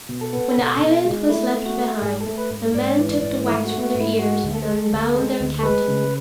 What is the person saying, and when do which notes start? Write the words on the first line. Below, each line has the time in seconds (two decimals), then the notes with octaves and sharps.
When the island was left behind, the men took the wax from their ears and unbound their captain.
0.09 B2
0.21 A4
0.33 B3
0.58 B2
0.81 B2
1.05 G#3
1.29 A3 E4
1.54 A3
1.66 F#4
1.78 A3
2.01 G#2 G#4
2.21 A4
2.26 A3
2.38 B4
2.50 G#2
2.74 G#2 D5
2.99 E3
3.11 D5
3.23 G#2
3.46 A3 E4
3.65 F#4
3.71 A3
3.83 F#4
3.95 G#2
4.00 E4
4.19 G#3 F#4
4.43 D2
4.55 A4
4.67 G#3
4.92 D2
5.16 G#3
5.40 D2
5.59 A4
5.63 G#3 B4
5.88 C#3